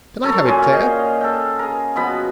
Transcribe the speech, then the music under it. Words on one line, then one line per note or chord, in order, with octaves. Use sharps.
Can I have it, Claire?
F#2 A4 C#5
A#2 C#4 F4 G#5
G#4 D#5 F5 G5
A4 G5
G#4 A#4
B2 F3 B3 B5